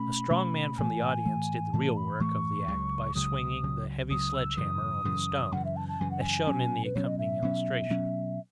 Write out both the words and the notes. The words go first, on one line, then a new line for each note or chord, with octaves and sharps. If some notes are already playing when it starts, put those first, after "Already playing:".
A strong man from the audience did the real work of the act by swinging the heavy sledge-hammer on the stone, as shown in the accompanying illustration.
Already playing: B2 A3 C#4 B5
B2 A3 C#4
A2 E3 A3 G#5
A2 E3 A3
A2 E3 A3 A5
B5
A2 E3 A3 C#6
C#2 C#3 F#3
C#2 C#3 F#3 D#6
C#2 C#3 F#3
C#2 C#3 F#3 D#6
E6
F#2 C#3 E3 D#6
F#2 C#3 E3
F#2 C#3 E3 F#5
E5
A5
A5
F#2 C#3 E3 G#5
F#5
G#5
B2 F#3 C#4
B4
B2 F#3 C#4 C#5
D#5
E5
B2 F#3 C#4
B2 F#3 C#4